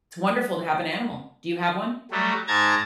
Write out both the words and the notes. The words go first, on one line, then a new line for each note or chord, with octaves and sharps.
it's wonderful to have an animal. Do you have one?
F#3 G3 A3
G#2 A5 A#5 G#6